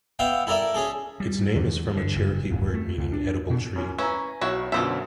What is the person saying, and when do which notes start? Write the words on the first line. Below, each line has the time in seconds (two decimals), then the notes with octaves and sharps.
Its name is from a Cherokee word meaning "edible tree".
0.19 B3 E5 F5 G5
0.47 E4 A4 A#4 D5 E5
0.74 C#4 G#4 A4
1.20 G3
1.56 E2
1.97 D3
2.16 F#1
2.50 D1
2.74 A3
2.98 C#2
3.13 D4
3.50 B2
3.76 F#2 C#4
3.99 C#4 E4 B4 A#5
4.41 B1 E4 F#4 C#5
4.72 F#2 B2 D3 F4 C5 E5